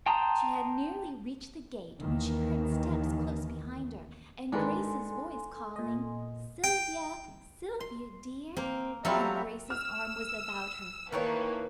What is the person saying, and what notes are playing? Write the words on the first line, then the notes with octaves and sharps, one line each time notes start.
She had nearly reached the gate when she heard steps close behind her and Grace's voice calling: "Sylvia, Sylvia, dear," and Grace's arm was about her.
G5 A5 A#5 C6 D#6
D#2 D#3 E3
G#2 D#3 G#3 D4 A4 B4 G#5 C6
A#2 D#5
G5
C6
A#3 C4
F#3 G3 C4 F4 A4 E5 F5 A#5
E6 F6
D#3 E3 A3 A#3 A#4 B4 C#5